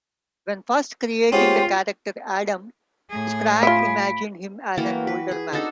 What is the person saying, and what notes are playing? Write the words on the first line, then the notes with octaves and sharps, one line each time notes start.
When first creating the character Adam, Schrag imagined him as an older man.
G#3 B3 C#4 F4 G4 C5
A2 G#4
F4 E5 B5 B6 D7
E3 A#3 F#4 G5
B4
G#4
D4 D#4 F#4 A4